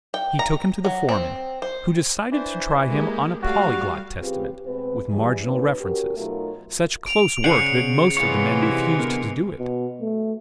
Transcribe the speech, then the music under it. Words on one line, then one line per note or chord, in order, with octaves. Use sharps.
He took him to the foreman, who decided to try him on a Polyglot Testament, with marginal references, such close work that most of the men refused to do it.
G5
A#5
F#3
C4
C5
E3 D4 C5
G#3 A#3 G4
G3 A3 F#4 F5
C#3 C4 F4 G4 G#4 B4
B2 G#3 C4 B4
E3 G3 G#4
D#2 A#2 C#4 D#4 B4
C#4 F#4 G4 A#4
B2 F#3 A3 D#4 F4 A#4
D7 F7
C#3 C#4 G#4 C5 D5 F#5 C7 C#7
C3 E3 G#3 B3 F4 C#5
E4 G4
D3 B3 A#4
B2
A3